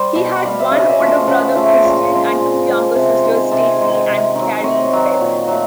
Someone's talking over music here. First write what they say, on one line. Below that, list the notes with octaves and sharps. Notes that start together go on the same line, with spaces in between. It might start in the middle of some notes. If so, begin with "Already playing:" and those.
He had one older brother, Christian, and two younger sisters, Stacy and Carrie Beth.
Already playing: G3 C5 D5
B2
G5
F#5
G3 F5
E5
C#3 C#5 D#5
D5 E5
F3 A3
D#5 F5
C#3 E5 F#5
F3 A3
A#2
F3 G#3
A#2
F3 G#3
C3
D#3 G#3
C3 A5
G#5
D#3 G#3 G5
F#5 G#5
C3
D#3 F#3
C3 C#5 D#5
D#3 F#3
A#2
F#3 A3